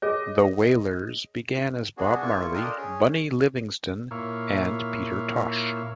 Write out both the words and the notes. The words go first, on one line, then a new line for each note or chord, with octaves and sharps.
The Wailers began as Bob Marley, Bunny Livingston and Peter Tosh.
G#4 C#5 D#5
B3 D4 F#4 G#4
A#3 E4 F4 C#6
D4 F4 A4 A#4 D#5 G5
C#4 G#4
A#2 E4 C#5 F5